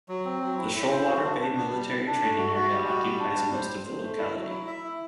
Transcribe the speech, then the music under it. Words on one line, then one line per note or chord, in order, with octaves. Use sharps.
The Shoalwater Bay Military Training Area occupies most of the locality.
F#3
C4
F#3
E4
E4
C5
F#4
D4
D4
B3
G3
E4
D4
A3
F#4
F#4
G3
F#4
G3
D4
G3
C5
C5
C5
A3
E4
F#3
E4
E5
E4